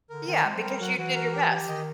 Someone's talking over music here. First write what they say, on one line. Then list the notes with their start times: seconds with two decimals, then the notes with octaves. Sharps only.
Yeah, because you did your best.
0.10 D3 A#4
0.27 D#3 C4
0.45 G#3 C4
0.56 F#3
0.63 G3 A#4
0.80 F#3 F#4
0.97 E3 F#4
1.15 A#4
1.33 G4
1.50 G4
1.61 E3
1.68 D#3 D#5